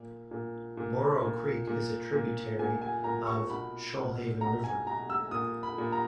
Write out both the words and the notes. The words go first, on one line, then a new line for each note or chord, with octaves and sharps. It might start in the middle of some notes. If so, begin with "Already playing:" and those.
Boro Creek is a tributary of the Shoalhaven River.
Already playing: A#2
A#2
A#2
A#2
A#2
A#2
A#2 G#5
G#5
A#2 A#5
C#6
B2 B5
B2
B2 A#5
G#5
B2 A#5
E6
A#2 D#6
B5
A#2
A#5